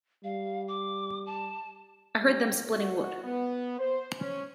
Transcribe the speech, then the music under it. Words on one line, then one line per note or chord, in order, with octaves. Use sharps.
I heard them splitting wood.
G3 F5
D6
A5
G3
F#4
B3
C5
C#4